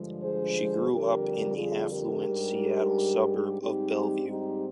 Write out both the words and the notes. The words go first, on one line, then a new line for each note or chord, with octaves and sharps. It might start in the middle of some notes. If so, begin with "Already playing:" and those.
She grew up in the affluent Seattle suburb of Bellevue.
Already playing: G2 D3 F3 G#3
G#4 C5
F2 D3 G3 D4 G4 A#4
F4 G#4
G4 A#4
G#2 G3 D4
G#2 G3 C4 D#4 G4
D#4 G4